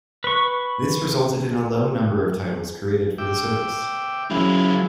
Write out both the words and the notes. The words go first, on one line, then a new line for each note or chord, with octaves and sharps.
This resulted in a low number of titles created for the service.
B4 C#6
E5 G5 D6
F#2 F#3 G#3 E4 F4